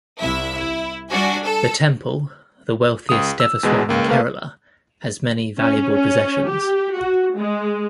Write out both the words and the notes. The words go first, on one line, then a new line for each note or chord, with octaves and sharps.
The temple, the wealthiest Devaswom in Kerala, has many valuable possessions.
C2 E4 E5
E4
G3 D4 F#4 G#5
A4
C#2 D#6
E6
E2 B2 G#3
C#2 A#3
A3 A#3 B4 F5
C#4
C#4
G4
F#4
G#3